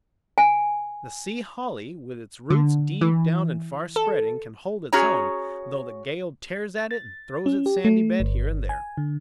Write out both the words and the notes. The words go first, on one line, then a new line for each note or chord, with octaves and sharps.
The Sea Holly, with its roots deep down and far-spreading, can hold its own, though the gale tears at it and throws its sandy bed here and there.
G#5
D3
E3
A4
C#4 F#4 G#4 C#5 A#5
A6
C#4
G4
A3
G1
G#5
D3